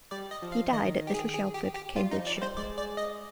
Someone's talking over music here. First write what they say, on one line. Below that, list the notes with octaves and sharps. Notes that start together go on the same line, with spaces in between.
He died at Little Shelford, Cambridgeshire.
G3 D5
D#5
F3
F5
D#3 D#5
G4
G#4
G#4
G4
G4
G3 F4
D#4
F3
D5
G3
C5
G#3 D5
D5
D#5